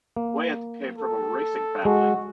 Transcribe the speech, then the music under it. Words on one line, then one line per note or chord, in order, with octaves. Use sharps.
Weyant came from a racing family.
A#3
A4
G#3 F#4